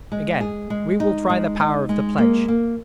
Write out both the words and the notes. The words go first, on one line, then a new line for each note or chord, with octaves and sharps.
Again: we will try the power of the pledge.
G#3
G#4
G#3
D#4
G#3
D#4
G#3
A#3
A#3